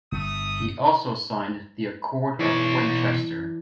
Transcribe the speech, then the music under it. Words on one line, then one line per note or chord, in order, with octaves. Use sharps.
He also signed the Accord of Winchester.
G1 A3 D#6
B2 E3 D4 C#5